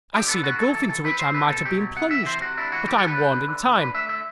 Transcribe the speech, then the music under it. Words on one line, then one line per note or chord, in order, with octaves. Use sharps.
I see the gulf into which I might have been plunged; but I am warned in time.
D3 G4
B3 A4
D3 F#4
F#3 A4
E3 A4
E3 A4
C4 B4
C4 C5
C4 B4
B2 A4
F#3 G4
B2
C3 F#5
E3 E5
C3 C5
C3 F#4
D4 E4
E3 F#4
G3 G4
A4
D4 B4
G3
D3
D3
D3
D4 B4
A3 E5
D3 E5